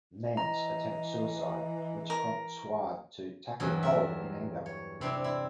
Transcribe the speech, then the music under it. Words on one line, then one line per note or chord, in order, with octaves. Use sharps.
Nance attempts suicide, which prompts Huard to tackle Cole in anger.
E3 D#5 A#5
A#4
E2 G2 F#3
A#4 E5
C#5
C3 C4 D4 E4
E4